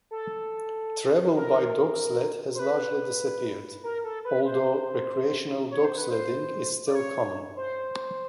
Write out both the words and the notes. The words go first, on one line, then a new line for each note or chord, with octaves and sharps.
Travel by dog sled has largely disappeared, although recreational dog-sledding is still common.
A4
A#4
C5
B4
A#4
A4
B4
C5
C#5
C5
B4
C5
D5
C#5
C5